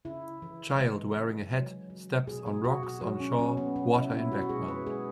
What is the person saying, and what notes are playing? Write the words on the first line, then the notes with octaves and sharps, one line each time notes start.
Child wearing a hat steps on rocks on shore, water in background.
C#3 E4
E3
G#3
C#3
F#3
F#3
B2 G#4
G#4
B2 F#4
F#4
F#3 F#4
C#4
F#3 C#4
B3
B2 C#4
E4
B2 E4
F#4
F#4
G#3 G#4
B4
G#3 G#4